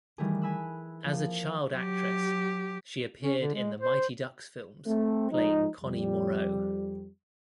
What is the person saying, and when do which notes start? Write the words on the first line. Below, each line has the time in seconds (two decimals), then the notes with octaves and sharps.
As a child actress, she appeared in the "Mighty Ducks" films playing Connie Moreau.
0.18 D#3 E3 G3 A3 G#4
0.42 G#5 B5 E6 F#6
1.05 F3 A#3
1.73 F#3 G4
3.24 C#4
3.41 D3
3.54 G#3
3.80 C5
4.87 A3 C4
5.31 F3 G#3 D#4
5.82 F2 G3